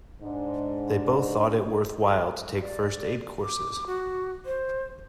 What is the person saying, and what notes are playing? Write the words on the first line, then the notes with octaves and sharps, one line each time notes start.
They both thought it worthwhile to take first aid courses.
G#2 D4
D5
D6
F#4
C5